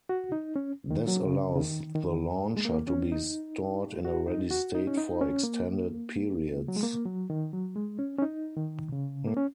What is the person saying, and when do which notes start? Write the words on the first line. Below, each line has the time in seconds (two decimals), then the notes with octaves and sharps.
This allows the launcher to be stored in a ready state for extended periods.
0.09 F#4
0.32 D#4
0.56 C#4
0.91 D#3
1.08 F#3
1.25 C#3
1.56 C#3
1.60 D#3
1.95 D#3
2.57 G#3
2.65 A#3
2.88 C#4
3.12 D#4
4.05 F#4
4.27 D#4
4.51 F#4
4.75 D#4
4.87 C#4
4.97 D#4
5.21 C#4
5.43 A#3
6.68 F#3
6.76 G#3
6.83 A#3
7.06 F#3
7.30 D#3
7.53 F#3
7.76 G#3
7.99 C#4
8.19 C#4
8.22 D#4
8.57 D#3
8.92 C#3
9.27 A#3
9.37 C#4